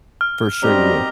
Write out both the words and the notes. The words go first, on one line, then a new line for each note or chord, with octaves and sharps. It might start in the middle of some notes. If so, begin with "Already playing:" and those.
for sure you will.
F6
B2 D#3 G3 C4 G4 D#5 A#5